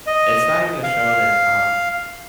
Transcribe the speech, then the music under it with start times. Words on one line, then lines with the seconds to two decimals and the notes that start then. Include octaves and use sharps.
it's not even a show that, um,
0.07 D#5
0.83 F5